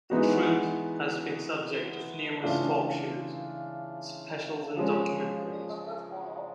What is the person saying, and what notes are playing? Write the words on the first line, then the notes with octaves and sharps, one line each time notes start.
The troupe has been subject of numerous talk shows, specials and documentaries.
E3 G#3 B3 D#4 F#4
C#3 E3 A3 D4 F4
F3 G#3 C#4